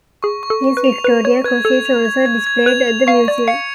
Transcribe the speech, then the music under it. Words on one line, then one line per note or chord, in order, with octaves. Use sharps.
His Victoria Cross is also displayed at the museum.
G#4 C#6
C#6
A4
C#6
B4
F7
B4 F7
C#5 C#6
B4 G#6
A4 F7
F7
G#6
G#6
G#6
B4 F7
F7
F5 C#6
D5 C#6
F5 C#7